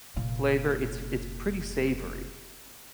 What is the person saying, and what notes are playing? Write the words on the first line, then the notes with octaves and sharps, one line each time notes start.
flavor. It’s it’s pretty savory,
F1 A#2